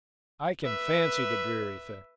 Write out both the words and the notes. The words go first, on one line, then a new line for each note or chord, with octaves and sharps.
"I can fancy the dreary thing!"
B4 E5